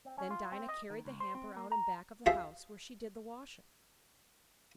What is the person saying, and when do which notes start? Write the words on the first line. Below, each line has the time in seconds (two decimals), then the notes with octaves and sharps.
Then Dinah carried the hamper out in back of the house where she did the washing.
0.05 C4
0.18 C#4
0.31 F4
0.52 C4
0.69 D#5
0.90 D#3
1.05 C#2
1.20 C5
1.35 C4
1.56 A#3
1.72 A#5
2.26 F4 G#4 C5 E5 A5